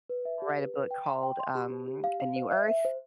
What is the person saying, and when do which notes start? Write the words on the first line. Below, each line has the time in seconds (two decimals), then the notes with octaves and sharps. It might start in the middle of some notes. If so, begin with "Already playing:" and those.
write a book called, um, A New Earth,
0.10 B4
0.25 E5
0.42 G4
0.58 B4
0.74 B4
0.91 G5
1.07 C6
1.23 G5
1.39 C6
1.55 G4
1.72 C5
1.88 G4
2.04 F5
2.20 F5
2.36 C5
2.52 E5
2.68 E5
2.85 C5